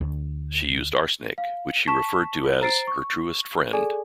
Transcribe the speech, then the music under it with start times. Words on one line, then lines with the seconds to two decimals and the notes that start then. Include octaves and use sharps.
She used arsenic, which she referred to as "her truest friend".
0.01 D2
1.38 F5
1.87 A5 C#6 B6 E7
2.44 F4
2.61 C5 A#5 A6 C7 D7
2.87 C#6
3.73 G#4 A4 D5 G#5